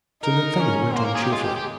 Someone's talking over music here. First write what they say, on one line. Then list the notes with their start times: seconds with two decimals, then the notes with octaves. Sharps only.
Sir Nathaniel went on cheerfully.
0.23 D#4 A#4
0.60 C#4
0.96 A#3 C5
1.05 A#4
1.15 G#4
1.23 G4
1.32 G#3 F4
1.38 G#4
1.44 G4
1.56 G4